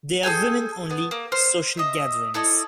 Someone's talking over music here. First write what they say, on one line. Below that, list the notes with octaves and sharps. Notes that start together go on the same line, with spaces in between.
They are women-only social gatherings.
G#4 A4 G5 G#5
B3
A#3
C5 F6
D#5 E5
E4 A4 D5 D#5